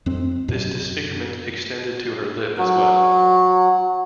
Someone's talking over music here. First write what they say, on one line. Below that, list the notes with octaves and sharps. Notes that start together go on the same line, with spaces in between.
The disfigurement extended to her lip as well.
F2 C4
F#2 B2
F#3